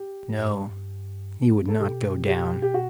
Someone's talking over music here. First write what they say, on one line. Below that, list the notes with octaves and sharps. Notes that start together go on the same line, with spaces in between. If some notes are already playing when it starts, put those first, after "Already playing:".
No, he would not go down.
Already playing: G4
G2
A4
B2 G4
G4
G4
F#4